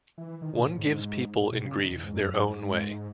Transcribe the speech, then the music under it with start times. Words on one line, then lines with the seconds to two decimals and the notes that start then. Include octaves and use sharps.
One gives people in grief their own way.
0.18 E3
0.42 D#3
0.55 B2
0.67 A2
0.79 G#2
1.41 A2
1.52 B2
1.65 C#3
1.77 D#3
1.89 E2
2.04 G#2
2.14 F#2
2.39 G#2